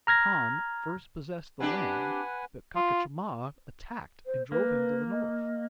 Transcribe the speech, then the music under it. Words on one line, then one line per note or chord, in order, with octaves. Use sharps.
Con first possessed the land, but Pachacama attacked and drove him to the north.
A#5 F6 G#6 A#6
C4 D4 G4 B4 F#5 G#5
F4
C5
A#3 B4
D#5